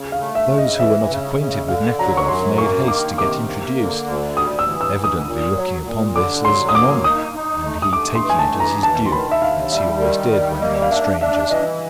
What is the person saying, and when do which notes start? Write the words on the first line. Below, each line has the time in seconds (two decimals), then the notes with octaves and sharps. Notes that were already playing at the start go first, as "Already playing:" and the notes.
Those who were not acquainted with Nekhludoff made haste to get introduced, evidently looking upon this as an honour, and he taking it as his due, as he always did when among strangers.
Already playing: C#3
0.12 F5
0.20 A3
0.35 E5
0.50 C#3
0.58 D#5
0.79 E3 E5
1.10 C#3
1.39 C#3
1.68 D3 F5
1.99 F#3 A#5
2.17 C#6
2.28 F#2 C6
2.58 A#3 C#6
2.88 D#3 D6
3.18 C3 D6
3.47 A#3
3.77 D3
4.07 D2
4.37 G3 D#6
4.59 E6
4.67 E3
4.81 E6
4.96 E3
5.04 D#6
5.26 A#2
5.56 F#3
5.85 A#2
6.15 D3 D6
6.45 F#3 C6
6.69 D#6
6.74 A#3 D6
7.04 D#4 D#6
7.34 D#4
7.64 A3
7.82 D#6
7.93 A3 D6
8.15 C6
8.23 E3
8.30 G#5
8.39 A5
8.53 E3
8.60 A#5
8.83 D#2 A5
9.06 C6
9.12 D#3 B5
9.31 E5
9.42 D#2 F5
9.72 G3 E5
10.01 D#3
10.31 G3
10.61 A#3 D#5
10.82 F5
10.91 D4 E5
11.21 D4 E5
11.50 E3 D#5